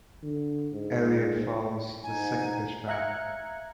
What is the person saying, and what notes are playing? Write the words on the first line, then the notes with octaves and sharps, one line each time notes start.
Elliot fouls the second pitch back.
D3
G#2
G#2 D#4 G#5
E5 F5 A#5 F#6 G#6 C#7